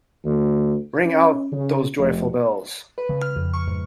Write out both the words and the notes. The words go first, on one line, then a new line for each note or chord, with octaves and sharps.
Ring out those joyful bells.
D2
C#4
C#3
F1
B4
C#3
F6
F2
C#6
G#2